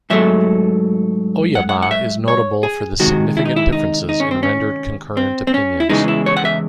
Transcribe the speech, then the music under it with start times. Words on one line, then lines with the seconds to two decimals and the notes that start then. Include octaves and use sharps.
"Oyama" is notable for the significant differences in rendered concurrent opinions.
0.10 G#2 F#3 A3 E5
1.55 F#5
1.69 F#5
1.82 F#5
1.91 E5
2.28 C#5
2.63 G#4
3.00 C3 D#3 G#3 F#4
3.37 E4
3.45 D#4
3.56 E4
3.72 D#4
4.09 D#4
4.20 C#4
4.31 C4
4.43 C#4
5.17 C4
5.47 C4
5.54 C#4
5.80 E4
5.89 E2 C#3 E3 G#3 D#4
6.08 E4
6.26 C#5
6.37 F#5
6.45 E5